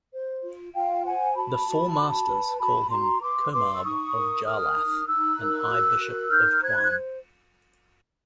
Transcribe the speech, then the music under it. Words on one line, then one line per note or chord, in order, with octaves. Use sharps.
The "Four Masters" call him Comarb of Jarlath and High Bishop of Tuam.
C5
F4
F4 F5 G5
C5 F#5 G#5
F#4 A5 B5
F#4
F#4
B4
F#4 A5 B5
F#4 A#5 C6
B4 C6 D6
B4 C6 D6
E6
D#4 C#6 D#6
A#4
A#4 D#6 F6
D#4
D#4 E6 F#6
A#4
F#4
A#4
D#4 F6 G6
C5 F#6 G#6
F#6